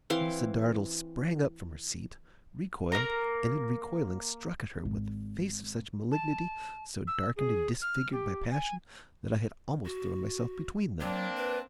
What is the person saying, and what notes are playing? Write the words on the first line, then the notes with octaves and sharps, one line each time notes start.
Rosa Dartle sprang up from her seat; recoiled; and in recoiling struck at her, with a face of such malignity, so darkened and disfigured by passion, that I had almost thrown myself between them.
E3 C4 F5 C6
A#3 C#4 A#4 A#5
G#1
A5
E6
G#4
F6
G4
G#5
F#4
F#3 A#3 C4 D4
B4